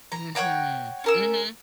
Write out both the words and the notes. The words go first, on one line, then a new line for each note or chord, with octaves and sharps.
Mhm, mhm.
A#5
C#5 F#5 G5 A#5
C#4 A#4 E6